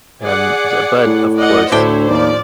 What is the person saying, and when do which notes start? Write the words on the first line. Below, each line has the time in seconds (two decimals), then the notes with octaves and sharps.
and j but, of course,
0.22 G#4 D5 F#5
1.06 A2
1.37 D5 D#5 F#5
1.72 D2 A2 D4 E4 C5 C#5 G5
2.10 D#2 F3 D5